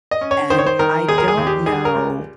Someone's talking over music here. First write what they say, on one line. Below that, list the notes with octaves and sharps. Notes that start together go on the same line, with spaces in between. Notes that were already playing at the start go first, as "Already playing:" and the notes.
and I don't know
D#5
C#4
C#5
D#3 C5
C#5
C5
D#3 A#4
D#2 G#4
A#4
G#4
D#2
G4
G3 G#4
A#4
C#2